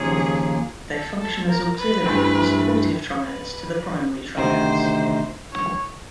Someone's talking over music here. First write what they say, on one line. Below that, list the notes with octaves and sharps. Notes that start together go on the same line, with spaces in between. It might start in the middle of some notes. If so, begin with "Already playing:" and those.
They function as auxiliary or supportive triads to the primary triads.
Already playing: D#2 C#3 F3 A#3 C#4 G#4
A4
A4
A#4
B4
G2 E3 A3 C4
B4
D2 C3 D#3 C5
C#5